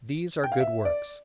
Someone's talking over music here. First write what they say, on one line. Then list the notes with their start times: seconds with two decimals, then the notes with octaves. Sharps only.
These are good works.
0.44 G5
0.52 F5
0.60 E5
0.85 D5